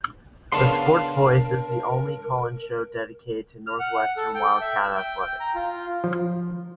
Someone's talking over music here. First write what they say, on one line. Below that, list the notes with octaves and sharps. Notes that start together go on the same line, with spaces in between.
The SportsVoice is the only call-in show dedicated to Northwestern Wildcat Athletics.
C#3 B3 D4 A#4 F5 A5 C6
F6
F#5
A4
G5
E5
E6
G5
G5
A#5
F4
F3